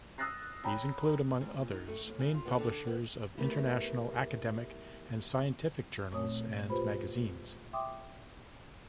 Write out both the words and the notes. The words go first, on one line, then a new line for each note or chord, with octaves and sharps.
These include, among others, main publishers of international academic and scientific journals and magazines.
D#6 E6 F#6 A6 A#6 C7
C#5 G5 A#5 B5
G#2
A#2
D#4
A3
D#2
C#3
F4
B3
D3
B3
A3 B3 E4 G4 A#4
A#2 A3 C4 C#5 D#6
F4 G4 B4 C5 B5
E5 G5 C6 D6 D#6